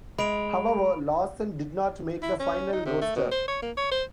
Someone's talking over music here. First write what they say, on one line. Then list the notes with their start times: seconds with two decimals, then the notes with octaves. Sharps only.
However, Lawson did not make the final roster.
0.18 G#3 B5 D7 F7
2.23 E4
2.40 C#4
2.73 D#4
2.86 C3
3.02 A3
3.16 B2
3.32 C5
3.48 C#5
3.62 A#3
3.77 C#5
3.91 C5